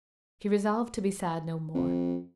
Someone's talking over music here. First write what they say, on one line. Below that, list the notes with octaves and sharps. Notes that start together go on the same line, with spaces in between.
She resolved to be sad no more.
F2